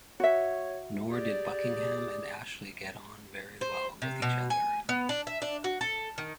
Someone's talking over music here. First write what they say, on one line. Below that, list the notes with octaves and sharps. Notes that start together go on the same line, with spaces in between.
Nor did Buckingham and Ashley get on very well with each other.
F#4 C#5 E5
G4 G#4 D5
C5
C3
B2
G#5
B3
D4
E5
D4
F#4
A4
D#3